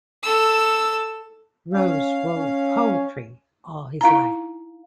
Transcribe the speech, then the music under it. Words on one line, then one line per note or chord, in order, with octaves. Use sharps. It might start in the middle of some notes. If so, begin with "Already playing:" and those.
Rowse wrote poetry all his life.
A4 E6
C#4 F5
C#4
D#4 E4 F5 A#5